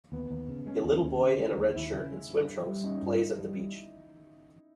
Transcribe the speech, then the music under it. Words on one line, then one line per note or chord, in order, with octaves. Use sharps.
A little boy in a red shirt and swim trunks plays at the beach.
D#2 B3
D#2
C#3
G#3 C#4
D#2
D#2
C#3
G#3
D#2
D#2 E4
C#3
G#3
G2
G2
G3
C#4 D#4
G2
G2
G3